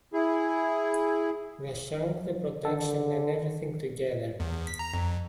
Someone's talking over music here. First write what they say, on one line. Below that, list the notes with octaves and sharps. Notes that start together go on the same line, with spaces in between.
The song, the production and everything together.
E4 G#4
D3 A4
E2
B6
A#5
F2